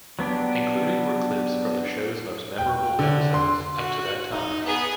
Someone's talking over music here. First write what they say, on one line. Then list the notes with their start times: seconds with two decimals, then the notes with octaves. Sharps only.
Included were clips from the show's most memorable episodes up to that time.
0.19 F#3 B3 D4 G4
2.58 G5
2.99 D3
3.34 C6
3.76 F#4
4.31 D#4
4.65 B3 G#4